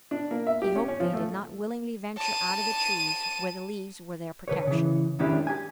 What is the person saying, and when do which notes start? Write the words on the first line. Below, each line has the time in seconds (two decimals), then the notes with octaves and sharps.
He hoped they did not willingly venture out of the trees where the leaves were their protection.
0.11 D4
0.31 A#3
0.47 E5
0.62 G4
0.75 C#4
0.88 C#4
1.00 F3
1.14 A3
2.18 A5 D#7
4.48 D3 B4 C#5
4.67 C#3 E3
5.19 D#3 G#3 C#4 D4 E4 G4
5.47 G4 G#5